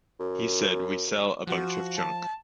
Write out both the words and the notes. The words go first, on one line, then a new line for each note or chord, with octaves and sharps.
He said "We sell a bunch of junk".
F#2
F3 F#4
A5